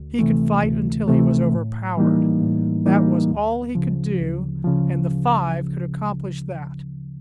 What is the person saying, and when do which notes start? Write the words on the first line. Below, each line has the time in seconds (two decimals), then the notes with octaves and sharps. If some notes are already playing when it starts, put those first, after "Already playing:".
He could fight until he was overpowered, that was all he could do, and the five could accomplish that.
Already playing: D2
0.19 C3 E3 A3
0.64 D2
1.08 C3 E3 A3
1.52 A2
1.97 E3 G3 A#3 D#4
2.42 A2
2.86 E3 G3 A#3 D#4
3.31 D2
3.75 C#3 F3
4.20 D2
4.64 C#3 F3